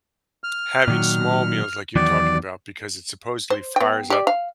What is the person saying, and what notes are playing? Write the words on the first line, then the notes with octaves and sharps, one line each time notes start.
having small meals like you're talking about because it, supposedly, fires up
F6
A#2 D#3 F#3
E2 D#3 F#3 D5
C5
B3 G5
G4 D5
F5